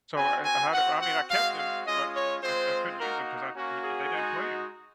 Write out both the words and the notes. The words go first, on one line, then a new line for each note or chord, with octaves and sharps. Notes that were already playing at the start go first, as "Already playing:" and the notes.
So, I I had I mean, I kept him, but I I couldn't use him 'cause I he they didn't play him.
C4 F#4 G#5
G#5
C4 F#4 F#5
F#5
G#3 C4 F#4 F5
F5
G#3 C#4 F4 D#5
C#5
G#3 C4 F4 C5
A#3 D#4 F#4 A#4
A#3 C#4 F#4
G#4
G#3 D#4 F#4